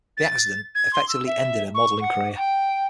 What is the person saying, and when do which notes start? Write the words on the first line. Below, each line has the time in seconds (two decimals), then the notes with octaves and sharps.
The accident effectively ended her modeling career.
0.17 A6
0.75 G#6
0.93 C6
1.09 E6
1.27 E5
1.75 C#6
2.01 F#5
2.37 G5